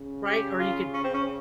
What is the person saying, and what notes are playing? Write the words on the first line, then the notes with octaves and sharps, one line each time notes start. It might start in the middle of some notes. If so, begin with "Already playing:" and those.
Right, or you could
Already playing: C#3
G4
F4
C#4
C4
C#4